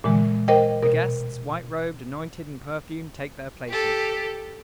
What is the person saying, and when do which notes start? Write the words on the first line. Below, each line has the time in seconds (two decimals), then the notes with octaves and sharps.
The guests, white-robed, anointed and perfumed, take their places.
0.04 A#2 D3 E3 G#3
0.48 A#4 C5 D#5 G5
0.83 B2 A#4
3.68 G4 A4